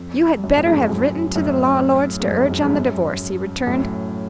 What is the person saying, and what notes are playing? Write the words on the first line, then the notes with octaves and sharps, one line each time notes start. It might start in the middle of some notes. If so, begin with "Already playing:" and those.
"You had better have written to the law lords to urge on the divorce," he returned.
Already playing: F2
F#2
A2
F2 G#2
F#2 A2
F#2 A2
G#2
F#2
F2
F#2
F2 G#2
F#2
F#2 A2